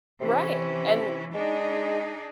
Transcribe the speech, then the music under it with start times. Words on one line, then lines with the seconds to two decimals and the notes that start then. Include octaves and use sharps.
Right, and
0.20 C3 E3 C#4
1.34 G#3 D4 D#4 G#4